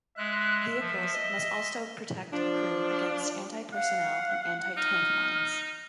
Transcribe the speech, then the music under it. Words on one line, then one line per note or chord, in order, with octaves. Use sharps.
Vehicles must also protect crew against anti-personnel and anti-tank mines.
G#3 E5 F#6
F3
D#5
F3 D4
F5 F#5
D#4 F6